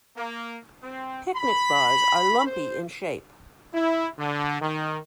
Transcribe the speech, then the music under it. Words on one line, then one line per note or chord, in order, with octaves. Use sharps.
Picnic bars are lumpy in shape.
A#3
C4
B5
C5
E4
D3
D#3